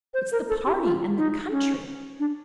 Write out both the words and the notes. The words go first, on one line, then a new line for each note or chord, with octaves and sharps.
It's the party and the country.
C5
A#4
A4
G4
F4
D#4
C#4
D4